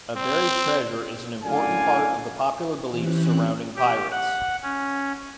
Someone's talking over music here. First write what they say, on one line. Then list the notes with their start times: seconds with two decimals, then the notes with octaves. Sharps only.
A buried treasure is an important part of the popular beliefs surrounding pirates.
0.16 C4
1.44 F#2 A2 D3 D5 F5 G#5
2.90 E3 C4 C#4 G4 F#6
3.76 G4
4.11 F#5
4.63 C#4